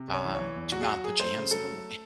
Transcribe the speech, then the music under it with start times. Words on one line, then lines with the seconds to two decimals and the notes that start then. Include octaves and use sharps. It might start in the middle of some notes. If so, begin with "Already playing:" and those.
Um, do not put your hands in the wa
Already playing: C3
0.08 C2
0.14 C#5
0.24 E3
0.35 C#5
0.40 E3
0.56 E2
0.72 F#3 F#4
0.81 G#4
0.88 F#3 F#4
1.04 F#3 G#4
1.19 A3 C5
1.35 C#3
1.51 F#3 A4
1.67 A3